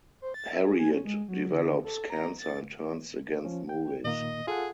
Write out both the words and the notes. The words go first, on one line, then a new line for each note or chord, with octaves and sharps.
Harriet develops cancer and turns against movies.
C5
A6
E5
G#4
G#5
C#4
G#3
F#3
D3
A4
A#5
A6
F3 C#4
G5
A#2 D#3 A#3 D#5
F4 G#4 A4 F#5